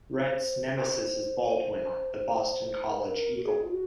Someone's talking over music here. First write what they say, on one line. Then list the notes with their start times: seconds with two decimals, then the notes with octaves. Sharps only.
Rhett's nemesis is Baldwin, the Boston College eagle.
0.13 C5
0.67 C5
2.89 A#4
2.97 C5
3.06 A#4
3.36 F#4
3.44 G#4
3.64 F4
3.71 F#4